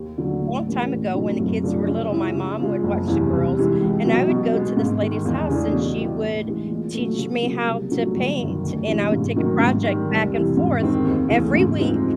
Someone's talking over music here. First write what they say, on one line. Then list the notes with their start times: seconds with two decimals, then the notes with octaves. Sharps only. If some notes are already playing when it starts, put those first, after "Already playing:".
long time ago when the kids were little, my mom would watch the girls, and I would go to this lady's house, and she would teach me how to paint, and I would take a project back and forth every week
Already playing: D#2
0.18 D3 F#3
0.42 A2
0.66 E3 G3 A#3 C#4
0.90 A2
1.14 F#3 A3 C4 D#4
1.39 F#2
1.63 C#3 F3 A3 D4
1.87 C#3
2.12 F3 G#3 C#4 E4
2.35 C#3
2.60 F3 G#3
2.83 F#1
3.07 E2 C3 E3
3.33 C2
3.57 C3 E3 G#3
3.81 C#2
4.04 B2 F#3 B3
4.29 B2
4.53 G#3 B3
4.77 G#2
5.01 D#3 G#3
5.25 E2
5.50 C#3 E3 A3 D4
5.73 B2
5.97 G3 B3 E4 G4
6.22 A2
6.46 E3 G#3
6.70 A#2
6.94 F#3 A3
7.18 C#3
7.43 F#3 A#3
7.67 C2
7.91 A#2 F#3 A3
8.16 G1
8.39 F#2 D#3
8.64 D2
8.87 C3 E3 G#3 C#4
9.12 G#2
9.36 D#3 F#3 A#3 D#4
9.59 G#2
9.84 D#3 G3
10.09 C2
10.32 C3 E3
10.57 G#2
10.80 D#3 G#3 C4 D#4
11.04 D#2
11.29 C#3 E3 A3
11.54 G#2
11.78 F3 G#3 C4 D#4